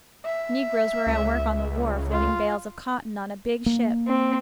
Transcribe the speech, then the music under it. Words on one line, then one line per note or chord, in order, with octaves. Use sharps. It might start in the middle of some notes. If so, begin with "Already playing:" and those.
Negroes were at work on the wharf loading bales of cotton on a big ship.
E5
C#2
F4
A#3
C4